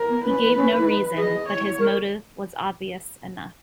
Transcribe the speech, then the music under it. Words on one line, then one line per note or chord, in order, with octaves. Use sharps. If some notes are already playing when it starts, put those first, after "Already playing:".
He gave no reason, but his motive was obvious enough.
Already playing: A#4
B3
C#4 B4
C#4
E4
D#4
G#4 D#5
C#5
A#4